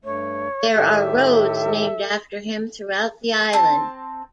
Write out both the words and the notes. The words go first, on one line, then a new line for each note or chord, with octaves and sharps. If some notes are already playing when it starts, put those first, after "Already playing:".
There are roads named after him throughout the island.
G2 A3 C#5
A2 D#3 G4 A4 E5
C4 A5